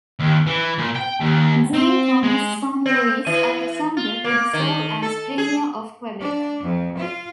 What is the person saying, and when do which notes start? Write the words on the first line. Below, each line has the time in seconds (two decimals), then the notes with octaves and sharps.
Jean-Thomas's son Louis-Alexandre would serve as Premier of Quebec.
0.20 D#2
0.47 E3
0.78 A#2
0.95 G5
1.20 D#2
1.73 C4
2.23 G#3
2.86 C4
3.26 E3
3.97 F4
4.24 A#3
4.53 D#3
5.02 A4
5.38 G#4
6.20 D4
6.63 F2
6.97 F4